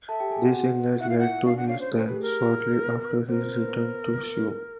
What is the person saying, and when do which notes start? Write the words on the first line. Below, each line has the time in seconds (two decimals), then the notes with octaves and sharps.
This illness led to his death, shortly after his return to Suez.
0.09 A4 E5 A5
0.20 G4 G5
0.32 G#4 G#5
0.43 F#4 F#5
0.54 F#4 F#5
0.99 E4 E5 F#5
1.09 F5
1.18 F#5
1.45 D4 D5 F5
1.57 F#5
1.68 C#4 C#5 F5
1.80 C5
1.92 A3 A4
1.98 C5
2.06 G4 B4
2.15 G#4
2.22 A#4
2.82 B3 B4
3.29 C4 A#4 C5
3.52 B4
3.60 C5
3.69 B3 B4